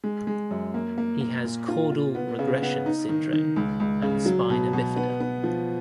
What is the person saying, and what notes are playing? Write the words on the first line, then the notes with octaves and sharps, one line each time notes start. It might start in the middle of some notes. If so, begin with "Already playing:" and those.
He has caudal regression syndrome and spina bifida.
G#3
G#3
F#2
A#3
A#3
A#3
A#2
F4
F4
B3
C#3
B3
D#4
D#3
D#3
C#2
C#2
C#3
F#3
B2
B2
B3
B3
F3